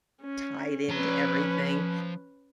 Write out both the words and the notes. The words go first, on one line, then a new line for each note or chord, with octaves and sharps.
tied into everything.
C#4
F3 C#4 B4 A#5